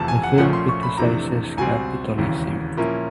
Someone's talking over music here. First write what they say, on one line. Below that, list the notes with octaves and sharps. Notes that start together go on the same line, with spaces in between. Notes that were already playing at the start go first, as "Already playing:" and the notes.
The film criticises capitalism.
Already playing: F1 E2 C3 F3 A3 A5
G#5
F#5
A#1 A#2 F3 A3 C#4 F#5
C6
C#6
B5
F2 C3 E3 A3 D4 A#5
C#2 B2 G3 C4 G#5
E1 D#2 C#3 E3
A#2 F3 A#3 C#4 E4